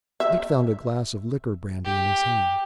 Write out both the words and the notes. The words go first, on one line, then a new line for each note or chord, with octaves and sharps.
Dick found a glass of liqueur brandy in his hand.
E5
G4